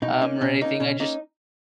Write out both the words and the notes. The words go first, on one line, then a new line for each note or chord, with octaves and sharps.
um, or anything, I just
B2 D#4
A#3 C#4
B2 C#4
A#3 C#4 D#4
B2 C#4
A#3 C#4 D#4